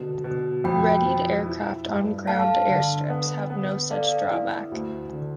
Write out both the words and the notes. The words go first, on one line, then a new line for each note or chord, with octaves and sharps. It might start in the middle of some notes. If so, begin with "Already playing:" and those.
Readied aircraft on ground airstrips have no such drawback.
Already playing: B2 D3
B2
F2 G5 B5
F3
E4
G2
A3 F5 A5
D3
B3
B3
A4 D5 F5
E4
D2
D3